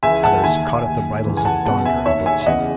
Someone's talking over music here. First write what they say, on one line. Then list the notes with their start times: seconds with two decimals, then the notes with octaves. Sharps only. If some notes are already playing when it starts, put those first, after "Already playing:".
Others caught at the bridles of Donder and Blitzen.
0.03 C#2 C#3 E3 E5 G#5
0.23 F#5 A5
0.43 D#2 D#3 E5 G#5
0.85 D#2 D#3
1.25 C#2 C#3 E3
1.37 G#5
1.45 F#5 A5
1.65 C#2 B2 F#5 A5
1.85 E5 G#5
2.06 D#2 D#3 C#5 E5
2.26 E5 G#5
2.41 E5
2.46 E2 C#3 E3 D#5 F#5